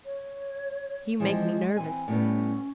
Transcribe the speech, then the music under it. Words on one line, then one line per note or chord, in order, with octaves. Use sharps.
"You make me nervous."
C#5
E3 F3 G#3 C4
E3 C4 G#5
A2 G3 B3 C#4